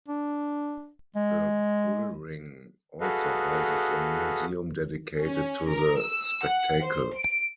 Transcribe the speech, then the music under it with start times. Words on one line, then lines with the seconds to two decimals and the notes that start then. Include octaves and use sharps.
The bullring also houses a museum dedicated to the spectacle.
0.08 D4
1.16 G#3
3.01 F#4 G#4 A4 B4 D#5 F5
5.20 C#4
5.71 A#4
5.99 E6
6.45 F#5
6.83 C5
7.16 D7